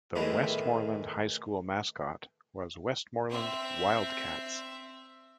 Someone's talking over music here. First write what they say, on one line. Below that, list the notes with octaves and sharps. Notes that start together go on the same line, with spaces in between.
The Westmoreland High School mascot was Westmoreland Wildcats.
E2 A2 D#3 E3 G#3
C4 E5